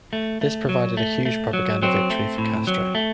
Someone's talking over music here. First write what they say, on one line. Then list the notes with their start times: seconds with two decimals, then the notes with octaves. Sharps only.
This provided a huge propaganda victory for Castro.
0.13 A3
0.41 A3
0.69 F#3
0.97 A3
1.25 A3
1.53 F#3
1.82 F#3 C4
2.10 A3
2.38 A2
2.67 F#3
2.95 A3